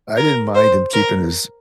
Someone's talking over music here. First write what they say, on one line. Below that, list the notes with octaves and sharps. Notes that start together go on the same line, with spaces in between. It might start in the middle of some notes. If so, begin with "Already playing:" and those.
I didn't mind him keeping his
A#4
C5
A#4